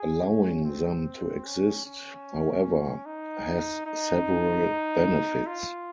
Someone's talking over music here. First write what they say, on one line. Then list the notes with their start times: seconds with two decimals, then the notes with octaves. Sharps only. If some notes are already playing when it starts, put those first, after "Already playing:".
Allowing them to exist, however, has several benefits.
Already playing: G#4
0.25 C#4
0.65 C4
1.45 C#4
1.86 C#4
3.06 D#4
3.86 D#4
5.46 F4